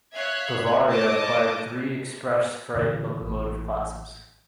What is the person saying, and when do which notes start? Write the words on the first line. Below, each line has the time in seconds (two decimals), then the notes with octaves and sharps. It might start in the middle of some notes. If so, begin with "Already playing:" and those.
Bavaria acquired three express freight locomotive classes.
0.13 C#5 E5 F5 F#6 G#6
0.88 C#5 D#5 A5 D6 D#6
2.75 A#2 D3 E3
3.22 A1